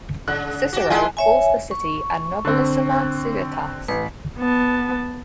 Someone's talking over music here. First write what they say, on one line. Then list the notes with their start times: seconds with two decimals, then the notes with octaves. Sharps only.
Cicero calls the city a "nobilissima civitas".
0.28 C#3 F#6
0.73 F#4 G4
0.90 G#3 E4 F4 G#5 A5
1.17 C#5 E5 G#5
1.71 C#6
2.45 D3 C4
3.88 A1 B4
4.39 B3 A5